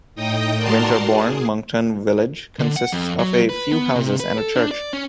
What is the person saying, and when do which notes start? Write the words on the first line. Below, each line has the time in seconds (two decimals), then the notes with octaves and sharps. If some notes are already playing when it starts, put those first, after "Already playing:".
Winterborne Monkton village consists of a few houses and a church.
0.15 A2 D#4 D#5 G5 D#6
0.56 F#4 A#4 D5 A5 A#5 C6
1.08 G#4
2.59 D3
2.76 F#5
2.92 F2
3.19 F#3
3.49 B4
3.72 B3
3.96 C3
4.20 B4
4.38 A4
4.56 D4
4.71 D5
4.93 C#4